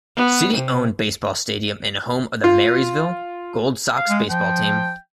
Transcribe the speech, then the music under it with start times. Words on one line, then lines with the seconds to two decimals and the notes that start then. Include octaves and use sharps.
City owned baseball stadium and home of the Marysville Gold Sox Baseball team.
0.17 B3
0.53 C3
2.44 F4
3.97 F5
4.09 G#3
4.30 F3 G5